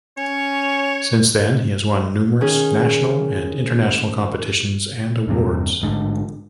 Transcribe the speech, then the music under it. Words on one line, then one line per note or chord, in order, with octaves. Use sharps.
Since then he has won numerous national and international competitions and awards.
C#4 C#5
D#3 C#4 G#4
E2 G2 C3
A1 G#2 D3